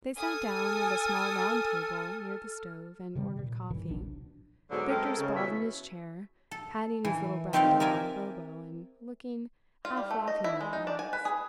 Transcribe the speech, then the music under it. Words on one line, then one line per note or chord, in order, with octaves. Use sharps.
They sat down at a small round table near the stove and ordered coffee. Victor sprawled in his chair, patting his little brown dog Bobo and looking, half laughingly, at Max.
A4 G#5 D#6 F6
C3 D#3 F3 G3
A#2
G2 D#3 E3 F#3
D1 A#1 B2 D4
G#2 B2 D3 F#3
G#3 A3 C4 D#4 A4 A#4
C#3
B2 E3 F#3 E5
A4
E3
D#3 C4 G4 D5 F5 G5
A#4 D5 E5 G#5
F4
G3
A3
D#5
E4
G#3
D#4
D4
G#5
B4
G#4